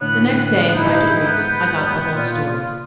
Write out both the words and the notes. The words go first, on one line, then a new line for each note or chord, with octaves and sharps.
The next day, by degrees, I got the whole story.
A2 D3 E3 B3 C#5 F#6
G2 D#4 E4 G6
G#2 B3 B4
D#2 G3
A#2 F4 C#5 D5